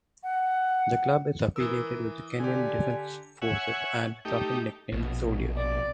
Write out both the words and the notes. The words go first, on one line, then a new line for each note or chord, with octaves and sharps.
The club is affiliated with the Kenyan defence forces and is often nicknamed soldiers.
F#5
E3 A#4 D#6 E6
D3 G4 D5 G#5
C#5 E5 F#5 G#5
A3 D#4 G4
A#1 B2
D5